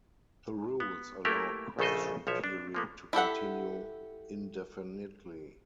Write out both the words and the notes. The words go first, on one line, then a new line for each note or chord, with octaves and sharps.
The rules allowed question period to continue indefinitely.
B3
A3 A#3 E4 G4 A#4 B4
A#1 C#3 A3 A4 C5 D#5
B1 F3 C#5 E5
D4
F3 A#3 B3
E4 G4 A4 F#5